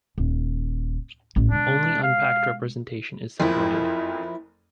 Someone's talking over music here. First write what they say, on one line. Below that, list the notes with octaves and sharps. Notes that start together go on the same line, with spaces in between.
Only unpacked representation is supported.
D#1
A1
B2 G#3 D4
F5
F#1 F2 F3 A#3 E4